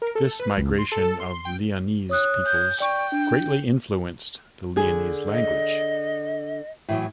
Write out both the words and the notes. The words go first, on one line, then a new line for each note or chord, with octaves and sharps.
This migration of Leonese peoples greatly influenced the Leonese language.
A#4
A4
B4
C#2
C6
A4
C6
G5
C#5 D#6 F#6
G6
D5 G5 C#6
D4
D3 G#4
D#5
A2 E3 F#3